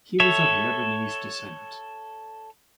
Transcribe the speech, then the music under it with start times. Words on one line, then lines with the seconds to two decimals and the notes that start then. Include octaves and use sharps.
He was of Lebanese descent.
0.20 A4 C#5 E5